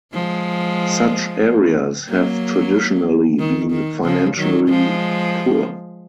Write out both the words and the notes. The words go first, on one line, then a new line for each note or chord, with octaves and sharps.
Such areas have traditionally been financially poor.
F3 G#3
F#3 A#3
D#3
D#3
C#3 F3
D#3 F#3
F3 G#3